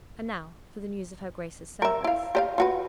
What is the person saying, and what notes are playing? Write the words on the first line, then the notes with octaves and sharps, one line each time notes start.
"And now for the news of her Grace's servants."
A#4 E5
E4 F5
G4 D#5 F5
F4 F#4 B4